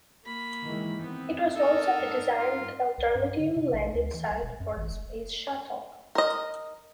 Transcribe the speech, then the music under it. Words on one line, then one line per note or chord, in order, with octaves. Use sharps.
It was also a designated alternative landing site for the Space Shuttle.
A#3 B5
D#3 E3 G#3
B3 C4
D#4 A4 A#4
G2
F4
C2
G2
D3
C3
A#1
D2
E3
C2
E1
F#2
A1
F1
A#4 D#5